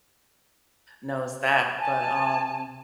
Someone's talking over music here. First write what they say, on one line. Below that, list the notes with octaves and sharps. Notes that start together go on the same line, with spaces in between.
knows that, but, um
G#5 A5